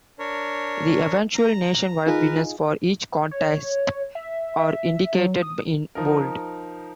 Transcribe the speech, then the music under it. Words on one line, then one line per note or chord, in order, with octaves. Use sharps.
The eventual nationwide winners for each contest are indicated in bold.
D4 A#4 C#5
A#5
D#4 F4 G#4 A#4 B4
C#5
E5
E5
F#3
D#6
F3 D#4 A#4